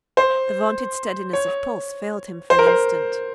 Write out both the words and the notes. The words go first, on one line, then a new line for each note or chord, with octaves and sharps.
The vaunted steadiness of pulse failed him for an instant.
C5
C#5
C5
A#4
C5